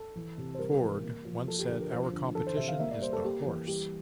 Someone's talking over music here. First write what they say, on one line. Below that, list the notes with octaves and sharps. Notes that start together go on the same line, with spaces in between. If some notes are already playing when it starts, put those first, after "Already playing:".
Ford once said Our competition is the horse.
Already playing: A4
E3
C3
C5
G3 A#4
E3
A#3
F3
F3 A4
G4
D3 A4
A#4
F3 C5
D3
E3 A4
C5
C3 E5
F5
A#3 E5
D5
G3 C5
A4
A#3 G4
E3
G3 G4